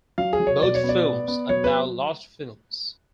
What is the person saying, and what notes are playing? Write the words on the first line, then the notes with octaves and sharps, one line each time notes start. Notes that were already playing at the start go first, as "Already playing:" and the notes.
Both films are now lost films.
F#3 F5
G#4
F#3
C#5
B2 D5
C#5
B3
D5
B3
B3
F#3 C#5
B4